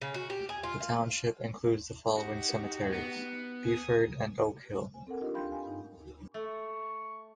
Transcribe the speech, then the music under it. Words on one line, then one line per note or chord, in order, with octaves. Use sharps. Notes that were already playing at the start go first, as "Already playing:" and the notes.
The township includes the following cemeteries: Beauford and Oak Hill.
C#3
F#4
G4
G#4
F4
F5
D#4 F#4 G4
B3
G#5 D#6
G#5
C4 A4 A#4 F#5
D4 D#4 F4 G4 A#4 D#5
F5 G5 B5 C6 G6
F5 G#5
G2 D#4
A3 C#6